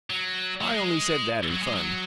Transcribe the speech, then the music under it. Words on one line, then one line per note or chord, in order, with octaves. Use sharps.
"I only said that in fun."
F#3
F#3
G#3
F#3
G#3
F#3